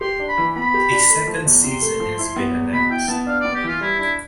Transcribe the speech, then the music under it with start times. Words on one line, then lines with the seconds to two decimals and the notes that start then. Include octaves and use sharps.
A second season has been announced.
0.01 G4 C6
0.20 D4
0.29 B5
0.38 E3
0.55 B3 B5
0.74 G4
0.92 D4
1.10 A3
1.27 F3
1.46 E2
1.64 C3 C6
1.82 A3
2.00 F3
2.19 E4
2.36 B3
2.54 E2
2.73 B2 B5
2.90 E4 G5
3.08 B3 A5
3.26 D4 F5
3.40 B3 D5
3.54 G4
3.64 E3 F4
3.81 G3 E4
3.99 D4 E4